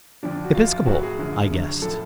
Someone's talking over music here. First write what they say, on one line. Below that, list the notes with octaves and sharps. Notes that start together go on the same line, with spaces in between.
"Episcopal?" I guessed.
F2 D3 F3 D4
F#4
F#2 F3 F4
A2 F#3 F#4
G#4
F#2 D3 F3
F#2 D3 F#3
A2 F3 A4